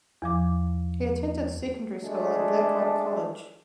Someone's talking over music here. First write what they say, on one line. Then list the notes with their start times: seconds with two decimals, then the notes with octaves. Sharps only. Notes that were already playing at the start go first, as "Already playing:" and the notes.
He attended secondary school at Blackrock College.
0.22 E2 F3 D6
2.03 G#3 A3 D4